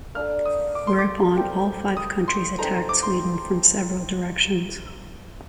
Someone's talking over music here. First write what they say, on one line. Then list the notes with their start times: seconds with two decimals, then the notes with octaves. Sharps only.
Whereupon all five countries attacked Sweden from several directions.
0.15 A#3 D4 A4 F6
0.46 D#6
0.75 D6
0.87 C6
0.99 D6
1.37 A3 C4 G4 A#4
1.97 D#6
2.28 C6
2.58 C4 D#4 A4 C5 A#5
2.89 D6
3.03 C6